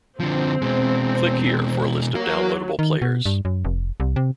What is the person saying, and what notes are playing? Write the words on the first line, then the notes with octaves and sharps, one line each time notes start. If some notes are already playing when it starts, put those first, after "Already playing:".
Click here for a list of downloadable players.
D3 F3 C4
B2 G#3
F#3 A#4 F5
D#3
B2
G2
F#2
F1
C2
C3